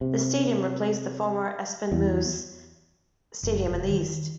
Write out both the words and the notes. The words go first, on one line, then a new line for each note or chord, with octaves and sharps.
The stadium replaced the former Espenmoos stadium in the east.
C3
E2
F#1
F1
D#3